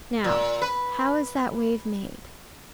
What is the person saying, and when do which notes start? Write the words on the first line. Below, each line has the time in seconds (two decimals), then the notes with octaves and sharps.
Now, how is that wave made?
0.24 A#2
0.62 B4